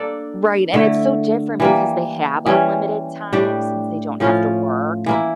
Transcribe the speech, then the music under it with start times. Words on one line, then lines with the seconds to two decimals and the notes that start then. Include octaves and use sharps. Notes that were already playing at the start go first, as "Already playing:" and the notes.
Right, and it's so different because they have unlimited time since they don't have to work,
Already playing: A#3 D4 A4 D5
0.74 D3 A3 E4
1.60 E3 G3 A#3
2.46 E3 G3 C#4
3.33 A2 G3 D4 G4
4.20 A2 F3 C#4 F4
5.06 E3 A#3 E4